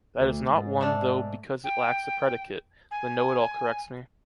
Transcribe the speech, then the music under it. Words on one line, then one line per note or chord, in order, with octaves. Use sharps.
That is not one though because it lacks the predicate, the know-it-all corrects me.
D2
G#2
A3 D4
G5
G#5